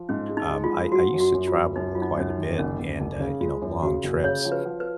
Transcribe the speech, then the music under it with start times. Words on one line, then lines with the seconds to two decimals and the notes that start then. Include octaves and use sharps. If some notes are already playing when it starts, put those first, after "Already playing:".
Um, I I used to travel quite a bit, and, uh, you know, long trips,
Already playing: F3
0.09 G#2 C#4
0.29 G#3
0.37 D#4
0.50 G#3
0.64 F4
0.72 F3
0.91 F#3 F#4
1.13 F#2
1.20 F#4
1.34 F#2
1.48 F4
1.55 F#2
1.76 F#2 D#4
1.95 F#3 F4
2.02 D#4
2.17 F#2 C#4
2.30 D#4
2.38 D#3
2.58 F#1 C#4
2.79 F#1
2.99 F#1 D#4
3.20 C#3
3.41 G#3 F4
3.62 F#2
3.83 C#3 F#4
4.04 F#1
4.24 C#3 C#5
4.45 F3
4.52 B4
4.65 F3
4.80 B4